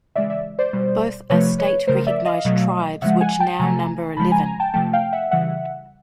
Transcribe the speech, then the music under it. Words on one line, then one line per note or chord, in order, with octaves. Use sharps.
Both are state-recognized tribes, which now number eleven.
C#3 E3 G#3 D5 E5
D5 E5
C5 D5
B2 G3
C3 F3 A3 B4 C#5
B4 C#5
C#3 F3 A3 A#4 C5
D5 E5
D#5 F5
B2 F#3 A3
C#3 F3 G#3 E5 F#5
F#5 G#5
G5 A5
C3 F3 A3 G#5 A#5
C#3 F3 G#3 A5 B5
G#5 A#5
G#5 A#5
G5 A5
C3 F3 A3 G5 A5
F5 G5
E5 F#5
C#3 E3 G3 E5 F#5